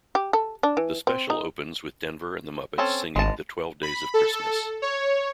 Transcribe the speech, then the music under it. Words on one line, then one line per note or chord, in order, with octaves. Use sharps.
The special opens with Denver and the Muppets singing "The Twelve Days of Christmas".
G4
A4
D4
E3
C4
D#4
C4 C#4 A4
G#1 G#3 A5
B5
A4
C#5